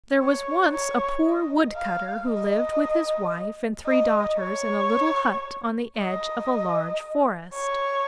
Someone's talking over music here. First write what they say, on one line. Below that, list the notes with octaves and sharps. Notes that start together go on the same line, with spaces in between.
THERE was once a poor Woodcutter who lived with his Wife and three Daughters in a little hut on the edge of a large forest.
C#5
C#5
D#5
F5
D#5
D#5
C#5
D#5
C#5